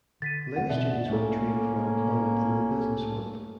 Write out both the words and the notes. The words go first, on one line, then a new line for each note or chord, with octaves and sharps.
Lay students were trained for employment in the business world.
D3 A6 B6 D#7
F1 E2 C4 F#5
B2 D5 E5
C2 A2 A#3 C#4 A4